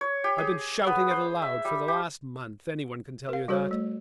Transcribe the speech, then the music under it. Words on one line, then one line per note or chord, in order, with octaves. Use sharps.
I've been shouting it aloud for the last month, any one can tell you that!...
C#5
G4
G#4
B3
C5
E5
G3
G4
A#4 F5
G3 F#4 A4 C5 C#5
A3